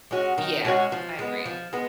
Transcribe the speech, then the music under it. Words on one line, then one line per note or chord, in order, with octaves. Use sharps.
Yeah. I agree.
G#3 C#4 F#4
D#3
G#3 C#4 F#4
F3
G#3 B3
F3
G#3 B3